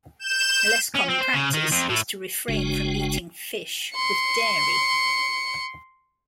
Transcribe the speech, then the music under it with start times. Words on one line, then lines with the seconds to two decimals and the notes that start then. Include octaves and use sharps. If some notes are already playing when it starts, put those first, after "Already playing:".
A less common practice is to refrain from eating fish with dairy.
0.19 G6 E7
0.96 C#4
1.10 C4
1.22 C5
1.34 C#3
1.54 D#3
1.72 F2
1.89 A2
2.48 F#1 C#3 G#3 D4 F#4 G5
3.95 C6 C#7